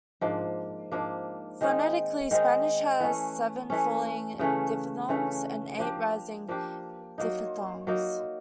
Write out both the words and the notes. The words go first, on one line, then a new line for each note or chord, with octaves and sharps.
Phonetically, Spanish has seven falling diphthongs and eight rising diphthongs.
G#2 F3 A#3 D4
G#2 F3 A#3 D4
D#3 G#3 C4 D#4
D#3 G#3 C4 D#4
E3 A3 C#4
E3 A3 C#4
C#3 E3 A3 C#4
C#3 E3 A3 C#4
F3 A#3 D4 G4
F3 A#3 D4 G4
F#3 A#3 D#4
F#3 A#3 D#4